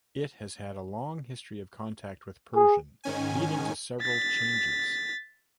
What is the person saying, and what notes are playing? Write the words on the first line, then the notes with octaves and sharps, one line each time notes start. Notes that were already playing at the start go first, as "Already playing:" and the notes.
It has had a long history of contact with Persian, leading to several changes.
G#4
G#2 D#3 C#4 G#5
A6 B6